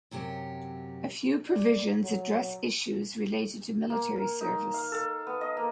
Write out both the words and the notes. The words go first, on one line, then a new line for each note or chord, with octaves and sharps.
A few provisions address issues related to military service.
F#2 C3 F#3 G4
D5
F#3
A#3
A#4
D#4
F5
A4
B3
D#5
A#3